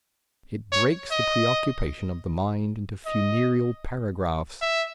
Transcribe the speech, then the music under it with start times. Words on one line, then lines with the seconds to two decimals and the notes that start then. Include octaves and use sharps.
It breaks the preoccupation of the mind into funereal paragraphs.
0.72 C#5
1.11 D#5
3.06 D#5
4.61 E5